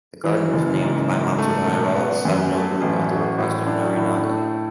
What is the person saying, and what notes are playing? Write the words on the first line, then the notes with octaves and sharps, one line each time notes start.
The garden was named by Matsudaira Sadanobu at the request of Narinaga.
E3
F#1
G#2
G#2
A3
E1
B3
F#2
A3
A1
F#4
A2
D4
A2
A3